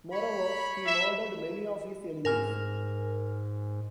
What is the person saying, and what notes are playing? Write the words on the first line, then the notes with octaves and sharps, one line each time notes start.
Moreover, he murdered many of his enemies.
C#5 B5
E5
G#2 A#4 G#5 F6